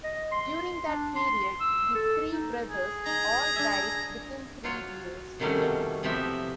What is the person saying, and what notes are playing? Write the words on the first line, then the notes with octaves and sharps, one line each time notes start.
During that period, the three brothers all died within three years.
D#5
C6
D4
C6
E6
A4
D#4
G#4
D#4 A#5
D4 E5
F#3 F4 C#5
C3 D#3 F#3 G3 A3 C#4
B2
C3 E3 F3 B3 G4 E5